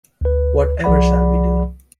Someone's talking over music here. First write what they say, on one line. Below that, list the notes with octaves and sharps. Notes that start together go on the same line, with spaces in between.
What ever shall we do?
D2 B4
C2 F3 G#4 D5 F#5 B5